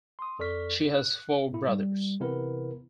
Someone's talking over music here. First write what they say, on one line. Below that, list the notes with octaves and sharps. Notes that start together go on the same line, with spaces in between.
She has four brothers.
C6 D#6
F2 A4 D5 C#6 F6 B6
F#6
A2 E4
G3
C3 E3 B3 E4 A#4 B4